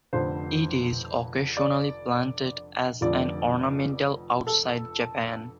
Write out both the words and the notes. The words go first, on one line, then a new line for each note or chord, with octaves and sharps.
It is occasionally planted as an ornamental outside Japan.
F1 F2 D3 C5
D5
F1 F2 D3 F3 D5
A4